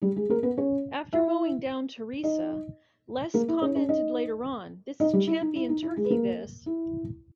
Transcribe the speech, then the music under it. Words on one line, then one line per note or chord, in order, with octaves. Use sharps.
After mowing down Theresa, Les commented later on, This is champion turkey, this!
G3 G4
G#3 G#4
A#3 A#4
B3 B4
C#4 C#5
E4 E5
D#4 D#5
A#3 A#4
E4
C#4 C#5
C#4 C#5
D#4 D#5
D#4 D#5
G3 G4
E4
D#4
E4
D#4
E4
G#3 G#4
B4
A#3 A#4
E4